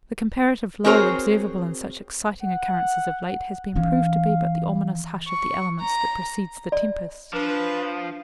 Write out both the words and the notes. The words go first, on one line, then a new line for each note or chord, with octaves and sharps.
The comparative lull observable in such exciting occurrences of late has been proved to be but the ominous hush of the elements that precedes the tempest.
C4 F#4 G#4 A#4 C5 C#5
F#5
E3 C#4 F5
C#6
A#5
D5
F3 D4 B4